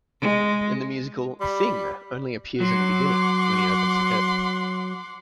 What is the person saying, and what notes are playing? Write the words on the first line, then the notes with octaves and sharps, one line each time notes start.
In the musical, Thing only appears in the beginning, when he opens the curtain.
G#3
G3 B5
F#3 F#5 C6 D6